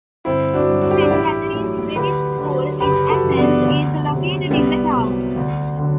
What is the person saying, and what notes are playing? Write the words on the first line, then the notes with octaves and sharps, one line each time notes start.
St.Catherine's British School in Athens is located in the town.
G1 C4 E4
D4 F#4
G2 F#3
F#4
G4
D4 F#4
A1 E4 G4
A2 F#3
D2 G4 B4
D3 F#3
F#1 G4 B4
F#4 A4
F#2 E3
B3 D4
D2
C3 F#3
C2 G3 B3
C3
F#3
D2
D3 F#3